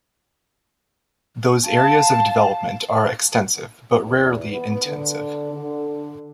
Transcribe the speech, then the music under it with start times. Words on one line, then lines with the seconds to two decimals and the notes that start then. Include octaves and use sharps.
Those areas of development are extensive but rarely intensive.
1.66 F5 A5
4.05 E2
4.51 B3
4.86 D3
5.53 D3